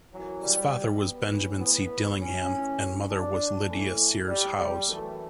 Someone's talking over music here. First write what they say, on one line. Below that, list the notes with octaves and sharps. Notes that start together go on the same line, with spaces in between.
His father was Benjamin C. Dillingham and mother was Lydia Sears Howes.
F#2 E3 F#3
G3
B3
A2 E3
B3
C#4
A2 E3
D4
A2 E3 A3
G3
G3
F#2 E3 A3